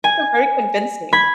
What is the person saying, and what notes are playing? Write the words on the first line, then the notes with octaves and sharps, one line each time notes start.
You're very convincing.
G#5
B5 G#6 B6